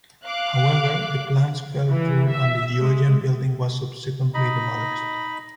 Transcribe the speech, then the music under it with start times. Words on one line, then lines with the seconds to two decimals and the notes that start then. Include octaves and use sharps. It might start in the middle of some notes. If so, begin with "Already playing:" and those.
However, the plans fell through and the Georgian building was subsequently demolished.
0.25 F5 D6 F#6
1.90 E3
2.30 E5
2.79 G#3
4.34 D#4 D#5 B5